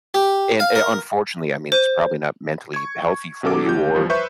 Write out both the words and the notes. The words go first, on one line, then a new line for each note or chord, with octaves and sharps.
and, a unfortunately, I mean, it's probably not mentally healthy for you or
G4
F5
A#4
C5
C#6 G#6
B2 F#3 C#4 A4 D6
D2 G4 G6
E2 F3 G3
B4 C5 E5 C#6 G6